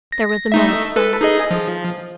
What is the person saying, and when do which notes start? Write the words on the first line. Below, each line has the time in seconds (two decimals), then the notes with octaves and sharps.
There was a moment's silence.
0.12 A#6
0.52 A3 D#4 E5
0.96 A4 B4
1.21 D#4 G#4 D#5
1.51 F3